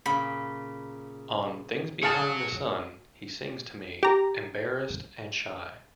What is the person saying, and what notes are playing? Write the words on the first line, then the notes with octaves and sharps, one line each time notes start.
On 'Things Behind The Sun', he sings to me, embarrassed and shy.
A#2 C#3 B5
G#4 C#5 F5 F#5 A5
G4 A#5